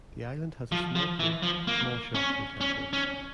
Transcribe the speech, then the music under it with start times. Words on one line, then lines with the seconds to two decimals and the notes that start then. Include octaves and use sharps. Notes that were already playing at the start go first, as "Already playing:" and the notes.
The island has a small port, small shops and cafes.
0.72 F3
0.95 F3
1.20 E3
1.43 F3
1.67 A#3
2.15 C#4
2.61 C#4
2.93 C#4